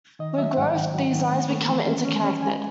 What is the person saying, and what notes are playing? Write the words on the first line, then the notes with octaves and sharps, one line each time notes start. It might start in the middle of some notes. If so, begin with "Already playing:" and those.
With growth these lines become interconnected.
D#3 D#5
F#3 E5
G#2 F#5
D#3 G5
F#3
D#3
A3
A3
E3
C#4
C#4
C#4
G#3 G#5